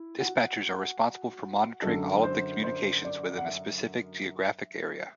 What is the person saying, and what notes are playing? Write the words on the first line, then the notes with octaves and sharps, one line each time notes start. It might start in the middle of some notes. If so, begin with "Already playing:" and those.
Dispatchers are responsible for monitoring all of the communications within a specific geographic area.
Already playing: E4
F#4
F#2 D3 F#3 A4
C5
C5
D5
F#5
E5